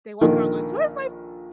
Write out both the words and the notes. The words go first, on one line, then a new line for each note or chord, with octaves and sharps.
they walk around going, "So where's my
A#1 D3 D#3